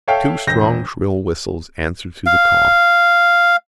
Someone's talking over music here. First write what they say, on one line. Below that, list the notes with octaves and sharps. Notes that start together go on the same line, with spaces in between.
Two strong shrill whistles answered through the calm.
A4 C#5 E5 F5 G5
E1 G6 A#6
F5